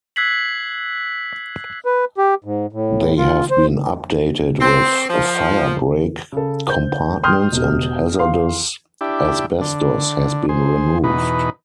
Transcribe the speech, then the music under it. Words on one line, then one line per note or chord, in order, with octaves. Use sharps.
They have been updated with firebreak compartments and hazardous asbestos has been removed.
E6 F#6 G#6 B6 C7 F#7
B4
G4
G#2
A2
F4
C5
C4
F3
C#3 A4
C5 G6
G5 C6 D#6 F6 G6
E1 G4
F5 C6
D4 E4 G4
D3
G#4 C5
E2 B2 D#4 B4